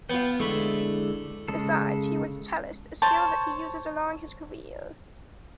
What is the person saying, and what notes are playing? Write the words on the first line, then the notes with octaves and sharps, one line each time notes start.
Besides, he was cellist, a skill that he uses along his career.
B3 F4 G5
D3 G#3 A3 E4 B5
C#3 G#3 A4
C5 C#5 A5